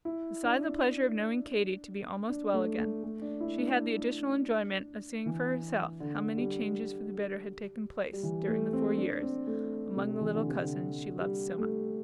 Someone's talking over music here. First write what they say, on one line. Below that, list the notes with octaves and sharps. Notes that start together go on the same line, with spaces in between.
Beside the pleasure of knowing Katy to be almost well again, she had the additional enjoyment of seeing for herself how many changes for the better had taken place, during the four years, among the little cousins she loved so much.
E4
D4
D4
A3
A3
A3
D4
E4
D4
E3
D3
G3
G3
E3
A3
C4
D4
C4
A3
C3
E3
D3
C3
D3
G3
A3